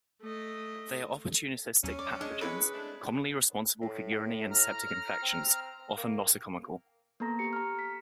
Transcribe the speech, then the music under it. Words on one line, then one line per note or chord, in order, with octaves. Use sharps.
They are opportunistic pathogens, commonly responsible for urinary and septic infections, often nosocomial.
A3 D#5
D#2 F#3 C#4
D5 D6
G#3 D4
C4 E4 A4 B4 C#5
A3 D4
A2
A#5 F6
C4
A#3
A#3 B3 A4 A#5 A#6
G4 C#7
A#5 F6
B6